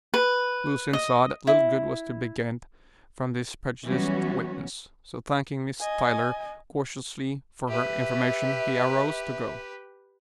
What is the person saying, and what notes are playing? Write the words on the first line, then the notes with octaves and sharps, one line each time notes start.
Lucian saw that little good was to be gained from this prejudiced witness, so thanking Miss Tyler courteously for her information, he arose to go.
B4
D#5
E4
E3 F#3 G3 B3 C#4 F#4
D#5 G#5
G4 B4 E5